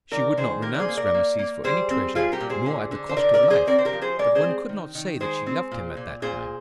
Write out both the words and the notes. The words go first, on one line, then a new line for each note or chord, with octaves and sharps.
She would not renounce Rameses for any treasure, nor at the cost of life, but one could not say that she loved him at that time.
D#3 A#4 D5
D#3 G#4 C5
A#3 G4 A#4
D5
G#4 C5
A#3
A#4 D5
A#3
A#3
G3 G#4 C5
C4
G3 F4 G#4
G4 A#4
A#2
G#4 C5
D3
D3
C5
D3 A#4 D5
A#4 D5
D3
G#4 C5
C4 A#4 D5
C5
G4 A#4
F3
G#4 C5
G#3 A#4 D5
G#4 C5
C4
D#3
D#3
G#3 G#4 C5
C4
A#2
A#2
A#2 G#4 C5